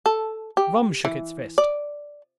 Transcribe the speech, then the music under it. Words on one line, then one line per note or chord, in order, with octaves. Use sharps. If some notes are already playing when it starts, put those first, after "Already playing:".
Rum shook its fist.
A4
G4
E3
D5